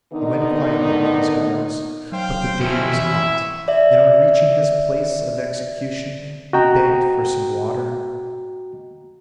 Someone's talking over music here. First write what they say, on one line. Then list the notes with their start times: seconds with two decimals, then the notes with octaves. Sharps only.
He went quietly with his guards, but the day was hot, and on reaching his place of execution he begged for some water.
0.12 D3 D#3 B3 D#4
2.12 F#3 C5 F5 G5
2.60 C2 F2 B2 C#4 E4
2.93 E3 E5
3.68 D5 E5
6.53 F#4 D#5 G5 A#5